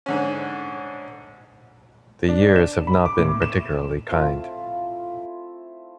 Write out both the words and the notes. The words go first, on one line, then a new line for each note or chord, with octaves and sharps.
The years have not been particularly kind.
G#2 D3 C#4
D4
E7
B5
D6
A2
E7
A3 C4 E4 F4